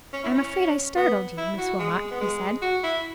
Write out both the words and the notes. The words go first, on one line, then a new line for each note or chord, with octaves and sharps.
"I am afraid I startled you, Miss Wilmot," he said.
C#4
E4
C#4
B3
E4
F#4
G#3
B3
G#3
F#4
E4